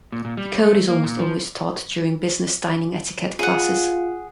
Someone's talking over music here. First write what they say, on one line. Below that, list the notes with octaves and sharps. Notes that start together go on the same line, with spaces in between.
The code is almost always taught during business dining etiquette classes.
A#2
A#2
G3
A3
A#3
A#2
F3
F4 G#4 F#5